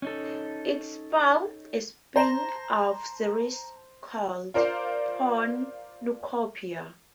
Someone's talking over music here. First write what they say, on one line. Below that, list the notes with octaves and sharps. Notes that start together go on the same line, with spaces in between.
It spawned a spin-off series called "Pornucopia".
C#4 D#4 A4
C5 A5 A#5
F4 A#4 C5 D5 F5